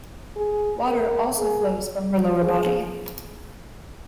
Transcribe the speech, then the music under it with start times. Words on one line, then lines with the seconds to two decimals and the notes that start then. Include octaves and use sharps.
Water also flows from her lower body.
0.36 G#4
0.87 A#4
1.38 G#4
2.41 G#4